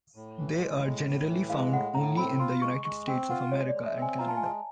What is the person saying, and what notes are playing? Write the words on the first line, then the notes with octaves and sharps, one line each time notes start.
They are generally found only in the United States of America and Canada.
A2
E3
G#3
A2
A2
E3
G#3 F5
A2 F#5
A2 A#5
C4 B5
F4 C6
G#3 C#6
G#3 C#6
C4 G5
F4 F#5
G#3 C#5
D5
G#3
E5
C4
G#5
F4 A#5
A5
G#5
G#3 A5